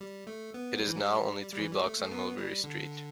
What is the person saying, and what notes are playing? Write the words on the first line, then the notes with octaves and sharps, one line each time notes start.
It is now only three blocks on Mulberry Street.
G3
A3
B3
G3
E3
G3
G3
E3
G3
A3
A3
B3
G3
D3